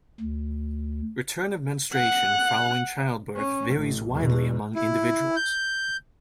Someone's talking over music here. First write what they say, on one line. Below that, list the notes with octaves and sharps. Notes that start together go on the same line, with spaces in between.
Return of menstruation following childbirth varies widely among individuals.
D2
F#5 F#6
C#4
A1
E2 B2
E4
G6